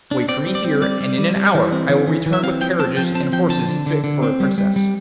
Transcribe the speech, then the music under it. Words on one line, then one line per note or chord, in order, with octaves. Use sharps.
Wait for me here, and in an hour I will return with carriages and horses fit for a princess.'
D4
C4 D5
G3
D5
C4
G3 D5
G3
G3
G3
E3
C4
E3
E3
E3
E5
C4 F5
F3 G5
C4 A5
F3 G5
C4 A5
F3 G5
D3 A5
D3
D3
D3
C4
G3
G3
G3